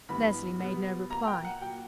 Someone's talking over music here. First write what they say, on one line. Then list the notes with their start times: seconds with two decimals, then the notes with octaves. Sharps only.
Leslie made no reply.
0.09 G2 E3 B3 B5
0.59 B2 G3 B3
1.10 A#2 A#3 A#5
1.27 G5
1.45 F#5
1.61 A#2 F#3 A#3 G5